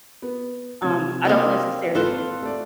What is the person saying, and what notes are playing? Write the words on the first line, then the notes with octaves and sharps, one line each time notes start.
um, I don't necessarily
B3
C3 C#5 G#6
A#3 C4 D#5
G#1 F4 A4 B4 C5 F#6
A3 D5